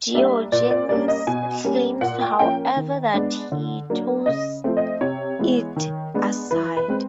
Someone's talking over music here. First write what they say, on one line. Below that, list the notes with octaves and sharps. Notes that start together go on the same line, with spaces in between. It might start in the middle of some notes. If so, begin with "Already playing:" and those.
Diogenes claims however that he tossed it aside.
G3 A#3 D4 E5
A#2 D5
D5
G3 A#3 C#4 D5
D#5
B2 G#5
G3 A#3 C#4
A#2 F#5
G5
F3 A#3 C#4 G5
D#3
G#3 B3 D4
D3
F#3 A#3 D4
C#3 D#5
F3 A3 C4
D#5
C3 C#5
E3 G#3 B3
D#3
G#3 B3 D4
E3 B4
B4
G#3 C4